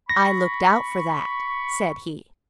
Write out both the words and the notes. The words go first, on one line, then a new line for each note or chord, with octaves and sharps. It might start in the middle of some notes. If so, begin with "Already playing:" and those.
"I looked out for that," said he.
B5 C#6 A#6